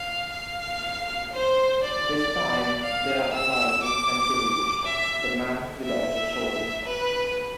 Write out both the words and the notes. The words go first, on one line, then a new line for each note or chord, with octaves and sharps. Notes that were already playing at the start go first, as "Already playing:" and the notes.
This time they are allied with Centurious, the man without a soul.
Already playing: F5
F5
C5
D5
F5
E6
D6
E5
E5
B4